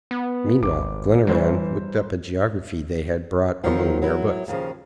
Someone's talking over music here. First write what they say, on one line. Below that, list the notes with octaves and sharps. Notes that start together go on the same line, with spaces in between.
Meanwhile, Glenarvan looked up a geography they had brought among their books.
B3
G#1 D6
G1 E3 C5
D#3 F3 F#3 C4 F4
F#3 E4
D#2 C#3 F3